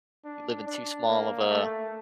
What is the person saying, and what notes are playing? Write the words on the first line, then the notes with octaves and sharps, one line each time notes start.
you live in too small of a
D4
D4
A#3
A3